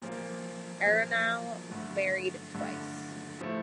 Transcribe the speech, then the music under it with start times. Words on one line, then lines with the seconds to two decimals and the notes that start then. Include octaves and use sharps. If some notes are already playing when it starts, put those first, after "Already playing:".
Aronow married twice.
0.02 A#2 F3 A#3
0.86 A#2 F3 A#3
1.71 G2 D3 A3
2.54 G2 D3 A3
3.39 A2 F3 A3